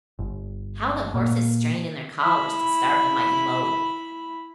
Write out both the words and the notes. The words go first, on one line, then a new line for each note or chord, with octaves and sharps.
How the horses strained in their collars to start the mighty load!
G1
A#2
E4 B5